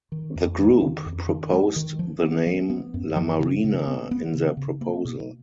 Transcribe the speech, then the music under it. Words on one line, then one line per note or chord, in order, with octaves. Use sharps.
The group proposed the name "La Marina" in their proposal.
D#3
F2
D#3
D#3
F2
D#3
G#3
D#3
F3
B3
F3
B3
F#2
F3
C#3
C#3
B3
B3
C#3
C#3
A#3
B2